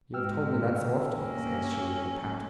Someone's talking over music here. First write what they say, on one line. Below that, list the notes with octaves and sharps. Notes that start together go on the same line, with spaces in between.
"You have told me that so often," says she, with a pout.
G#2 G#3 G5 E6 F6
A#3 C#4